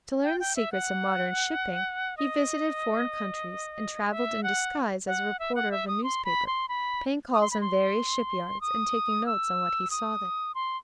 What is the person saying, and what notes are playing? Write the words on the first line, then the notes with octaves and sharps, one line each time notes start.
To learn the secrets of modern shipping he visited foreign countries and traveled in disguise as a reporter of a newspaper, paying calls on various shipyards and taking notes on what he saw there.
G5
G5
E5
F#5
D#5
E5
F#5
F#5
E5
F#5
E5
D#6
C6
B5
C6
B5
D#6
C6
B5
C6
D#6
E6
D#6
C6